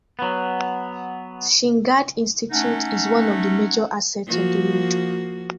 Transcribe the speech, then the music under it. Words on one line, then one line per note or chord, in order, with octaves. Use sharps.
Sinhgad Institute is one of the major assets of the road.
F#3 B3
A3 C#4 D#4 F#5
F3 A#3 F#4